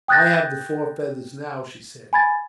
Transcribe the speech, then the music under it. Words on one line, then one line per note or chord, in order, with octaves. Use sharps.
"I have the four feathers now," she said.
G5 D#6 F#6 G6 A6 A#6
G#5 B5 G#6 A6